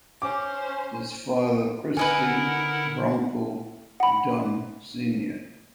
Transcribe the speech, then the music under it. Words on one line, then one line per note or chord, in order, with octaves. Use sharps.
His father Christy "Bronco" Dunne Snr.
C#4 C5 D6
D3 D#4 E4 A#4 B4 D#5 F#5 G#5
F#5 B5